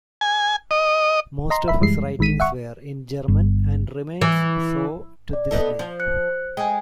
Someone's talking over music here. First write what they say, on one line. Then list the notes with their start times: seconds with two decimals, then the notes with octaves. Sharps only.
Most of his writings were in German and remain so to this day.
0.21 G#5
0.71 D#5
1.50 D#5 A#5 C6
1.68 E5 B5
1.81 F#2 E3 G3 G#3 C7
2.19 A1 D#3 G#3 B6 D#7
2.40 E5 F#5 C#6
3.28 G1
4.21 E3
5.33 D5
5.51 B3 D#4 A4
5.79 F3
6.00 F#6 C#7
6.57 G#3 G5 G#5